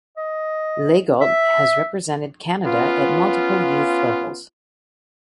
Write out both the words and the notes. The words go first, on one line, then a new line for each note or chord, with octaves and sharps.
Legault has represented Canada at multiple youth levels.
D#5
E5
B3 C#4 F4